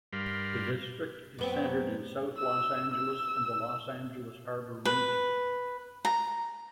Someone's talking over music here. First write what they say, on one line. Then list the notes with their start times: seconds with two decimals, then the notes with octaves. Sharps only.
The district is centered in South Los Angeles and the Los Angeles Harbor Region.
0.13 G2 G3 A#4 F5 B5 C6
1.39 F#2 B3 C4
2.39 E6
2.94 E6
4.85 B4
6.05 A#5